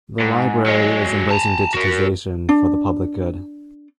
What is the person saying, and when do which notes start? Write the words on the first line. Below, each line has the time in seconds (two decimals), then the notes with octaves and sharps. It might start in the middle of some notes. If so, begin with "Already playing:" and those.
The library is embracing digitization for the public good.
0.20 G#2
0.66 F#3 G#3
1.31 A5 A#5
1.74 F#4 A#4
2.49 D4